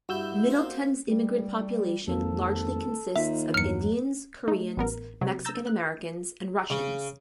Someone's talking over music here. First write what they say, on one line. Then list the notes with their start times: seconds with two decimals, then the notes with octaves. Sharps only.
Middletown's immigrant population largely consists of Indians, Koreans, Mexican Americans and Russians.
0.09 G2 E4 F#4 E6 G6
0.50 A#3 C4 C5
1.10 G3
2.08 G#1 F2 A#3 A4
3.16 D#2 D#4 F4 E5
3.54 E2 G2 E3 F#3 F6 C#7
4.48 A3 D#4
4.77 A1 B3 A#4
5.21 C3 F#3
5.45 A#5 E6 G6 A6
5.67 F#6
6.70 C#3